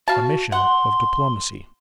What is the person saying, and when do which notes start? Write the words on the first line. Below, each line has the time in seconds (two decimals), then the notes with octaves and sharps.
A mission of diplomacy.
0.08 F#4 F5 A5
0.52 F#5 C6